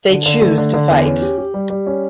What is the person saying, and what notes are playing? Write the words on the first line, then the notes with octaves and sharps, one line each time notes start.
They choose to fight.
D3
D3
A3
D3
D3
E2
C#4
G4
G4
G3
G3
C#4